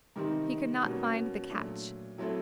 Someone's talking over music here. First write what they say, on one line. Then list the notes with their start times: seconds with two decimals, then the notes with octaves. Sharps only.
He could not find the catch.
0.16 C3 D#3 G3 C4 D#4
0.83 B2 G3 A#3 C#4 F#4
1.50 A#2 F#3 A3 D4
2.18 F#3 A3 C4 E4 A4